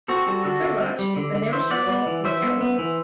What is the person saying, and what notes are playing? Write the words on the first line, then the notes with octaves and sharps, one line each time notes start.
Kirzhach is the nearest rural locality.
C4 F#4 A4
G3 F#4 A4
D3 F#4 A4
D3
C4
G3
D3
D3
E3 C5 E5
B3 D5 F#5
B3
E3
E3 C5 E5
B3
B3
E3